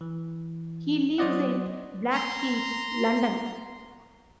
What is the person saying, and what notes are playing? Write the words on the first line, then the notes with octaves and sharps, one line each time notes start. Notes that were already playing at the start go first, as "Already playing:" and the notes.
He lives in Blackheath, London.
E3
F#3 F#4 C5 D5 D#5 F#5
A#5 C6